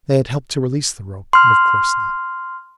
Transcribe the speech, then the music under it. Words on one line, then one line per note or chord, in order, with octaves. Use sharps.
They had helped to release the rope, and of course not.
C6 F6